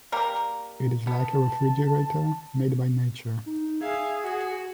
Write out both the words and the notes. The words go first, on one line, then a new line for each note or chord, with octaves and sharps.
It is like a refrigerator made by the nature.
G3 A#3 A#4
B3 A5
D#4
G#4 E5 F5 G#6
F#4